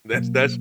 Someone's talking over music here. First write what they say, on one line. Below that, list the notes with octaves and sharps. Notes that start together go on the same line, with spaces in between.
That's, that's
B2 F#3 A#3